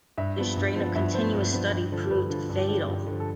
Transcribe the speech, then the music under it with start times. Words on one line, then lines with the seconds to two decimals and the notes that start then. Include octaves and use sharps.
The strain of continuous study proved fatal.
0.18 G2 E5
0.38 F3 B3
0.57 G2
0.76 F3 B3
0.95 G2 E5
1.14 F3 B3 C5
1.33 G2
1.53 F3 B3
1.72 G2
1.92 D3 F3
2.11 G2 B4
2.30 D3 F3
2.49 G2 A4
2.59 G4
2.68 D3 F3 A4
2.88 G2
3.07 D3 F3
3.20 A4